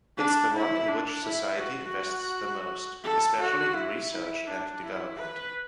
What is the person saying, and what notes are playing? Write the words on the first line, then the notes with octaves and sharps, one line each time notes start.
It’s the one in which society invests the most, especially in research and development.
D4
E4
D4
E4
F#4
A4
F#4
E4
E4
D4
E4
B4